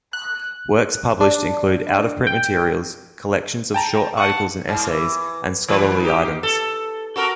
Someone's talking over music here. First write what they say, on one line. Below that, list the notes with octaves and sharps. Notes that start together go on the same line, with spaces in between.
Works published include out-of-print materials, collections of short articles and essays, and scholarly items.
F#6
D4
G5
G5 A5 A#5
F#5 A5 C#6 F#6
G#2
E3
E3 B4
D#4 G4
A4
F#4 A4 A#4